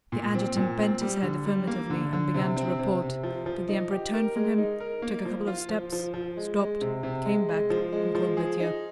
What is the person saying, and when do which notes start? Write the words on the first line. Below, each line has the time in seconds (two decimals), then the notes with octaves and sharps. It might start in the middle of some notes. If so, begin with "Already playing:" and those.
The adjutant bent his head affirmatively and began to report, but the Emperor turned from him, took a couple of steps, stopped, came back, and called Berthier.
0.12 A#2
0.35 C4
0.56 A#2
0.79 C4
1.01 G3
1.23 D3
1.46 G3
1.67 A#3
1.90 D3
2.13 D3
2.34 C3
2.56 C4
2.79 C3
3.02 C3
3.23 F3
3.46 F3
3.69 D#4
3.91 G4
4.13 A#4
4.36 G#3
4.58 D#4
4.80 A#4
5.02 A#3
5.25 F3
5.47 F4
5.69 F3
5.92 F3
6.14 F3
6.37 G#3
6.59 G#3
6.81 C3
7.03 C3
7.26 G#3
7.49 G#3
7.70 F3
7.92 G#3
8.15 F3
8.37 G#4
8.60 D#4